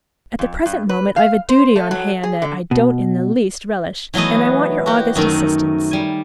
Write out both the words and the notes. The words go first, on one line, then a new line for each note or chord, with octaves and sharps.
At the present moment I've a duty on hand that I don't in the least relish, and I want your august assistance.
F2
G2
B4
F5
C5
A3
F#3
G#4
D3
B2
E3 F#3 A3 B3 D#5
F#4 G4
F#2 D#3 A3
G3 G#5